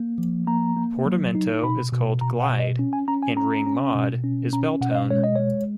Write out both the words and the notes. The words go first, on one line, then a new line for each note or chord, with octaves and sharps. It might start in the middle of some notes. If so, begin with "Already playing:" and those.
Portamento is called "Glide" and Ring Mod is "Bell Tone".
Already playing: A#3
F3
A#3 A#5
A#3
F#3
D#4
B2 B5
B2
B2 A#5
F#5
B2
D#5
C#4
G#5
C#4 A#5
G#5
C#4 A#5
C#4
B2
C#4
C#4 A#5
B2 F#5
D#5
F5
G#3 C#5
D#5
G#3 C#5